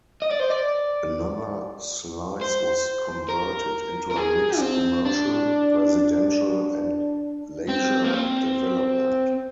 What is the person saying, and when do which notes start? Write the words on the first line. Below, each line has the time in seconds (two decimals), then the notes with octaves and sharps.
Another slice was converted into a mixed commercial, residential and leisure development.
0.22 D#5
0.31 D5
0.40 C5
0.50 D5
2.41 C5
3.29 A#4
4.11 A#4
4.17 G#4
4.57 D4
4.61 C4
5.05 D4
7.68 C4
8.04 A#3
8.13 C4